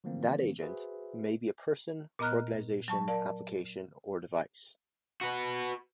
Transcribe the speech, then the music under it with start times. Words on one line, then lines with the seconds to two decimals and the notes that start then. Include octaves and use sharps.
That agent may be a person, organisation, application, or device.
0.04 D3 E3 F3 A3 A#3 C4
0.61 F#4 G#4 B4 C5 E5
2.19 A#2 B3 D#5 A#5 F6 F#6
2.88 F#3 A5 C#6
3.08 A#4 D5 F5 A5
5.21 F#4 B4